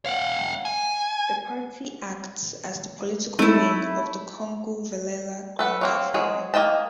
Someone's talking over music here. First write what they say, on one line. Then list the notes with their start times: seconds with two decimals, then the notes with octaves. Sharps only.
The party acts as the political wing of the Kongu Vellala Gounder Forum.
0.06 F5 F#5
0.65 G#5
3.39 G#3 A3 C4 D#4 E4
5.59 A4 B4 F#5
5.81 F#3 A#3 C4
6.14 F#3 G#3 G#4
6.54 A#3 D#5 G5 A5